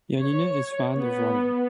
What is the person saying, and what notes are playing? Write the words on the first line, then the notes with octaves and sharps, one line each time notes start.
Yanina is fond of running.
C#5
B3